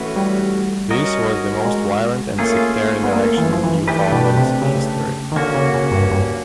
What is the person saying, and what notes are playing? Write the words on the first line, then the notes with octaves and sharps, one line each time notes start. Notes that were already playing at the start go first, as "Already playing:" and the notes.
This was the most violent and sectarian election in Newfoundland's history.
Already playing: E3 A3 C#4 F#4 B4
G3
C#4 F#4 A#4 D#5
G#3
A3 A#3 C#4 F4 G#4
B3
A#3
E3
F3
E3
E3 A3 D4 G4 B4
B2
C3
C#3
D#3
D3 A#3 C#4 F#4
C#3
C#3
G2
G2